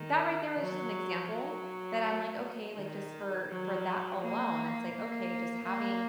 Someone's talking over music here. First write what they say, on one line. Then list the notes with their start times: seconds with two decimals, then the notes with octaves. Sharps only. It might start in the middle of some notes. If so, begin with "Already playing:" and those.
that right there was just an example that I'm like, okay, like, just for for that alone, it's like, okay, just having
Already playing: D#3
0.59 F#3
1.31 F#3
2.76 D#3
3.48 F#3
4.21 A#3
4.93 A#3
5.64 A#3